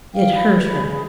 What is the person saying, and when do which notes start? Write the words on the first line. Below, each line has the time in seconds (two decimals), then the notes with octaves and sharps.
It hurt her.
0.14 F5 G5
0.35 B5
0.57 B4
0.70 G#4